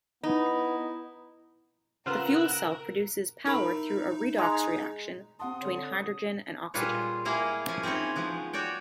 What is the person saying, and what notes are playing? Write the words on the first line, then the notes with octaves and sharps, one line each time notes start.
The fuel cell produces power through a redox reaction between hydrogen and oxygen.
B3 D#4 E4
C#3 C4 F4 A#4 B4 F#5 E6 F#6
D#4 E4 A#4 B5
G#3 A#5
C4 F#5 A5 C6 D#6
D3 C#5
A#2 G3 F4 G#4 B4 C#5
G3 G#3 A#3 E4 G#4 F5
F3 C#4 F4 G#4 G#5
C4 C#4 D#4 E4 C#5
F3 G#3 B3
F#4 C#5 D5 G5